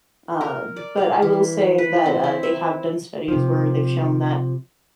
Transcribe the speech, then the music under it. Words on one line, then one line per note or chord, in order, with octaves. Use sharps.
um, but I will say that, uh, they have done studies where they've shown that,
A#4
D5
F5
E3
B4
C4
E4
E5
C3 F3